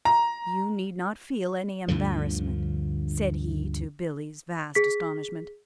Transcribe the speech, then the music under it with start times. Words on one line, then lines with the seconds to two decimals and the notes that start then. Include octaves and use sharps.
"You need not feel any embarrassment," said he to Billie's vast astonishment.
0.05 A#5
1.88 D2 G2 D3 F3
4.75 G#4 B6